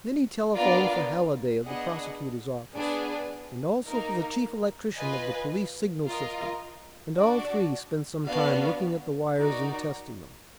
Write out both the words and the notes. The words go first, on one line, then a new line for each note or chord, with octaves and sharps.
Then he telephoned for Haliday of the prosecutor's office, and also for the chief electrician of the police signal system, and all three spent some time looking at the wires and testing them.
B3 D4 F4 A#4 D5
B3 D4 G#4 D#5 F#5
B3 D4 G#4
A#3 D#4 A#4
F4 B4 D#5 G#5
F4 A#4 D#5
D4 F#4 D5
B3 D4 F#4 D5 F5
D#4 F#4 A#4 D5